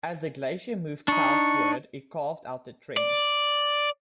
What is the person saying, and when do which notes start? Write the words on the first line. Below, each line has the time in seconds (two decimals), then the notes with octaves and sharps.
As the glacier moved southward it carved out the trench.
1.08 D4 D#4 C#6
2.97 D5